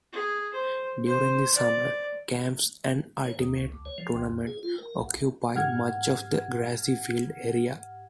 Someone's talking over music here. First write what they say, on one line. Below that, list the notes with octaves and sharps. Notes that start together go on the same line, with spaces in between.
During the summer, camps and Ultimate tournaments occupy much of the grassy field area.
G#4
C5
C5
D5
C#5
D#2
C#2
D2
C#5
F3
C2
F2
G#4
F4
A#4
B1
G#2 G4 F#5 F6 G#6